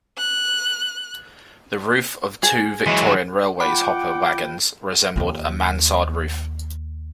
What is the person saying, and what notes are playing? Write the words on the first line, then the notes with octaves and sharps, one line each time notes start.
The roof of two Victorian Railways hopper wagons resembled a mansard roof.
F#6
G#4
E3 F#3 G#3
F4 F#5 G5 B5 D6
D#2 F4